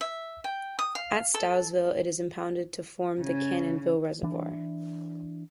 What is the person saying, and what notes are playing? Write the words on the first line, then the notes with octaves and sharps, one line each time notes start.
At Stilesville it is impounded to form the Cannonsville Reservoir.
E5
G5
D#6
F5
A4
C#3
E3 D4